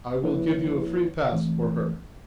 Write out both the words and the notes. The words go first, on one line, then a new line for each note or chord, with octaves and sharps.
I will give you a free pass for her.
F3 A#3 E4 B4 C#5
E3 A3 C4